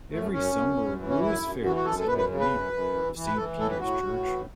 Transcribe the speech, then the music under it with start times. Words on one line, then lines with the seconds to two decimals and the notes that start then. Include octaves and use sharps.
Every summer a "Rose Fair" is held in aid of Saint Peter's Church.
0.11 F#2 A3
0.33 F#2 C#4
0.55 F#2
0.77 F#2
0.98 E3
1.08 C#4
1.21 F#2 E4
1.41 F#2
1.64 E3 F#4
1.76 F#4
1.85 F#2 A4
1.99 A4
2.07 F#2 B4
2.18 B4
2.28 C#3
2.40 B4
2.50 F#2
2.73 F#2
2.94 E3
3.15 E3
3.27 B4
3.37 E3 A4
3.58 A2 A4
3.70 B4
3.80 A2 F#4
4.03 A2
4.24 E3